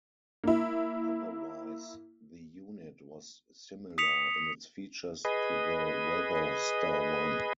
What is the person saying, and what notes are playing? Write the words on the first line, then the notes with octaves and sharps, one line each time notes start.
Otherwise, the unit was similar in its features to the Weather Star One.
A#3 E4
D#6 B6 C#7 F7
G#4 B4 D#5